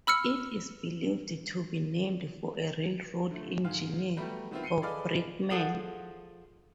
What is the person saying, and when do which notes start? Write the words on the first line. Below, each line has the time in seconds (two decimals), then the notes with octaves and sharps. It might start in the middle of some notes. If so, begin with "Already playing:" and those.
It is believed to be named for a railroad engineer or brakeman.
0.07 B5 E6 F6 C#7
3.31 D3 A3
3.64 D2 G#2 F5
4.17 F#3 G3 A3 B3 G4
4.51 D#3 B3 C4 E4 F4
4.63 C7 C#7 D#7 G7
4.82 G#4 A4 B4 D5 D#5 F5
5.50 F3 G#4 A4 F#5